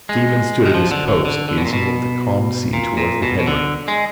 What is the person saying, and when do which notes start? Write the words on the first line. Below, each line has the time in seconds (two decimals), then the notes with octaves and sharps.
Stephen stood at his post, gazing over the calm sea towards the headland.
0.09 G#3
0.66 D#3
0.74 F3
0.91 D3
1.08 D3
1.25 D3
1.49 D3
1.57 B2
1.65 A#2
1.73 B2
2.73 A#2
2.97 A#2
3.22 B2
3.40 B2
3.47 D3
3.88 G#3